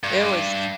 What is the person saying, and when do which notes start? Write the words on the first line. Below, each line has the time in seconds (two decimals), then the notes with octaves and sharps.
it was
0.04 G2